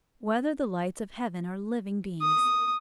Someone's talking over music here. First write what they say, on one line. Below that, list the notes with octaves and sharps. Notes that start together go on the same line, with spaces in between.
Whether the Lights of Heaven Are Living Beings?
D#6